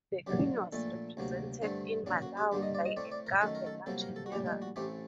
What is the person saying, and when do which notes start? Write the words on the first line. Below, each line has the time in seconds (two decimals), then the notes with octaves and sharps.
The Queen was represented in Malawi by a Governor-General.
0.27 F#2 D3 F#3 A#3 G4
0.72 A#1 A#2 A3 A4
1.17 D2 C3 F#3 A#3
1.62 G2 D3 A3 C4
2.06 F#2 F#3 A#3 D4
2.22 F#4
2.37 G4
2.52 G2 D3 G3 A#3 G4
2.62 D#5
2.75 D5
2.85 D#5
2.96 A2 A3 C4 D5
3.11 D5
3.26 A#4
3.41 F#2 D#3 A3 A4
3.55 A#4
3.66 A4
3.86 C2 C3 F#3 A#3 A4
4.01 A#4
4.16 A4
4.26 F#4
4.32 A#1 A2 G3 G4
4.46 D#4
4.62 F#4
4.76 A1 A2 A3 C4 G4